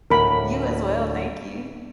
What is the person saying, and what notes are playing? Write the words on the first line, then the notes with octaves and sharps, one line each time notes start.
You as well, thank you.
D2 A2 A#4 B5